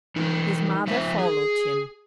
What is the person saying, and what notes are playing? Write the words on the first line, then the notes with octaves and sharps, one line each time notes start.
His mother followed him.
E3 D#4
F3 D#4 E5
G#4